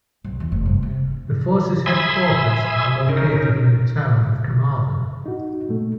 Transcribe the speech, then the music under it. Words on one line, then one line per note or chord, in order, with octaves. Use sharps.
The force's headquarters are located in the town of Carmarthen.
B1
E2
F1
G2
C3
E5 G#5 B5 C6 D#6 E6
C#4 D#4 A#4
D#4 F#4
A#2 A3